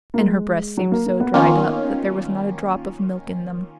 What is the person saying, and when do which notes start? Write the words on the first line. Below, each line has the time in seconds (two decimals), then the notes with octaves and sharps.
And her breasts seemed so dried up that there was not a drop of milk in them.
0.14 A#3
0.20 G#3
0.77 F#3
0.92 A#3
1.06 A#3
1.20 B3
1.34 D#3 A#3 C#4 F4